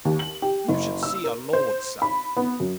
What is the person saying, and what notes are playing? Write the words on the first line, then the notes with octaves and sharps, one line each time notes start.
You should see a lord sup.
D#2
F#7
G4
F#1
E6
A#4
C5
B5
B3
F#2